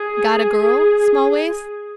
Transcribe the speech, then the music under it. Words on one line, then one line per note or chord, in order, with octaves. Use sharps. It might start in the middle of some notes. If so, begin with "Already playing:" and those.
"Got a girl, Smallways?"
Already playing: G#4